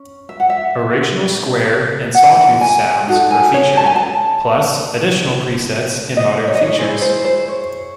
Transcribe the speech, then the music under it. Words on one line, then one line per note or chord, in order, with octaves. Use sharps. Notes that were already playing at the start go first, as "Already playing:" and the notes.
Original Square and Saw tooth sounds are featured, plus additional presets and modern features.
Already playing: C#4
E5
F#5
E5
F#5
G#5
D#4 F#4 A4
G#5
C#5
A5
G#5
A5
D#5
C#5
D#5
C#5
E4 G#4 C5
C5
C5
C#5